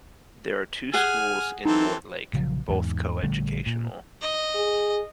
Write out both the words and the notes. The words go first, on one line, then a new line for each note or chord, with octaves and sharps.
There are two schools in Mortlake, both co-educational.
G#4 F#5 G#5 F6
E3 C4 D#4 A4
A#1 C#3 F3 F#3
E2 G#2
A#1 D3 G3 A3
A#2
D#5
G#4